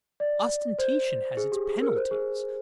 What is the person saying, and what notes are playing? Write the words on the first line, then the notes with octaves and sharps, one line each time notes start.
Ostentation has its penalties.
D5
C5
G#4
G4
G#4
A#4
C5
G#4